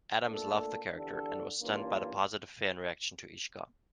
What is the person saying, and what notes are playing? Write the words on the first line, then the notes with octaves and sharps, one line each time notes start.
Adams loved the character, and was stunned by the positive fan reaction to Ishka.
A#2 A3 D4 A4
E2 D3 G3 D4 A4
G2 E3 A#3 C#4 F4